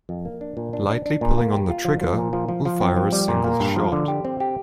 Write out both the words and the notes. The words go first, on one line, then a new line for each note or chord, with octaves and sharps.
Lightly pulling on the trigger will fire a single shot.
F2
A#3
D4
A#2
D4
D4
D4
A#2
A#3
G4
F4
F3
F3
A#2
F3
F3
F3
C4
F3
G3
A#2
A#3
G2
F3
D3
G4
C4
G4